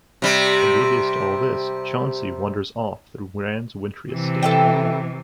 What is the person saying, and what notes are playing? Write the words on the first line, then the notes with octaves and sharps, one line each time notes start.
Oblivious to all this, "Chauncey" wanders off through Rand's wintry estate.
C3 G3
C3 E3
A4 E5 G5